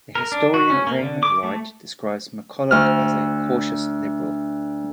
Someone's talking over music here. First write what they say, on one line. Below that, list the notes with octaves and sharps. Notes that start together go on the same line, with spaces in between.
The historian Raymond Wright describes McCulloch as a cautious liberal.
A#4
D4
F#4
C#4
A#3
D3
D6
A3
D2 F6